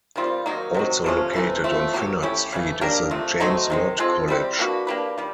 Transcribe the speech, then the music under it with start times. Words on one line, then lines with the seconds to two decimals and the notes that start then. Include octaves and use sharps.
Also located on Finnart Street is the James Watt College.
0.16 D#3 G3 C4 F4
0.46 D#3 F#3 A#3 D#4
0.74 C3 D#3 F#3
1.04 C3 F3 A3 C#4
1.33 C3 E3 A3
1.64 F3 A3 C4
1.93 F#3 A#3 D4 G4
2.22 A3 C#4 E4 G4
2.52 C#3 E3 A3
2.81 A#3 D4 G4 A#4
3.11 C3 F3 A3
3.40 F#3 A3 C4 D#4
3.70 C3 D#3 G#3
3.99 G#3 C4 F4 A4
4.28 G3 C4 E4 G4
4.59 A#3 D4 F#4 B4
4.87 A#3 D4 G4 B4
5.18 D#3 G3